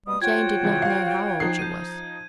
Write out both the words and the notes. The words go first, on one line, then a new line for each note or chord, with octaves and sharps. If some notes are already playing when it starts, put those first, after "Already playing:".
Jane did not know how old she was.
G2 B2 G3 D#6
C3 F#3 F4 F#4 G5 G#6
C#2 E3
F5
F3 D#4 C7
G6 D#7